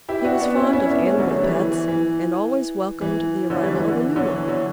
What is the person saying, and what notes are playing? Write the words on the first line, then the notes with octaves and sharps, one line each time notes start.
He was fond of animal pets, and always welcomed the arrival of a new one.
E4 G4
D4 F#4
B3 D4
C#4 E4
C#4 E4
B3 D4
A3 C#4
D3 F#3
F#3 A3
E3 G3
E3
E3
E3
E3
D3 F#3
E3 G3
E3
D3
E3
D3 F#3
E3
D3 F#3